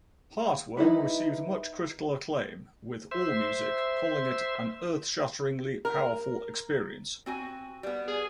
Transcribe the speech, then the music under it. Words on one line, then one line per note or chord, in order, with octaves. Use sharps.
"Heartworm" received much critical acclaim, with "Allmusic" calling it "an earth-shatteringly powerful experience".
D#4 E4 F#4 B4
C5 E5
A#4
C4 F#4 G#5
G3 B3
G#4